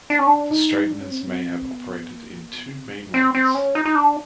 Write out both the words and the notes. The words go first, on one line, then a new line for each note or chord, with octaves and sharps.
The straighteners may have operated in two main ways.
D4
C#4
D4
D#4
D4
C#4
C4
C#4
B3
C4
B3
A#3
B3
C#4
C4
D4
C4
C4
C#4
D#4
D#4
D4